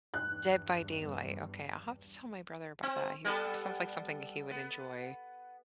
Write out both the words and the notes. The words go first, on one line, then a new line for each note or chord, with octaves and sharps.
Dead by Daylight. Okay. I'll have to tell my brother about that. He sounds like something that he would enjoy.
E2 G2 F#6
C4
G3 B3 A4
B3